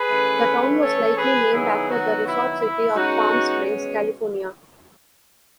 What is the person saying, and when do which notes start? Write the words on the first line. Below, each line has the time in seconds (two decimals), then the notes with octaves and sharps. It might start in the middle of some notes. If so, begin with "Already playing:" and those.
The town was likely named after the resort city of Palm Springs, California.
Already playing: G#4 B4
0.11 E3 A3 C#4
0.81 A4 C#5
1.17 G#4 B4
1.53 D#3 F#3 B3 D#4 E4 G#4
1.89 D#4 F#4
2.24 E4
2.60 E4
2.96 B2 G#3 C#4 D#4 F#4